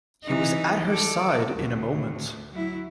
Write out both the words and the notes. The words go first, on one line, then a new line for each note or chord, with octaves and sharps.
He was at her side in a moment.
E3 D#4
A4 D5
D2
F#3 E4